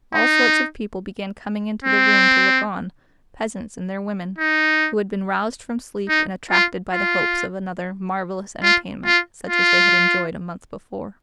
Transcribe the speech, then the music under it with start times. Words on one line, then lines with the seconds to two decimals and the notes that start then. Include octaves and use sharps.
All sorts of people began coming into the room to look on, peasants and their women, who had been roused from sleep and attracted by the hopes of another marvelous entertainment such as they had enjoyed a month before.
0.14 D#4
1.84 C4
4.38 D#4
6.09 D#4
6.51 F4
6.93 F4
8.63 F4
9.05 F4
9.48 F4